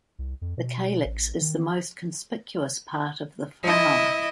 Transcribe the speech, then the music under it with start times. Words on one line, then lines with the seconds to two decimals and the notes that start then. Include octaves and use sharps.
The calyx is the most conspicuous part of the flower.
0.19 C2
0.41 F2
0.57 B2
1.05 A1
1.41 D#3
3.63 E4 D#5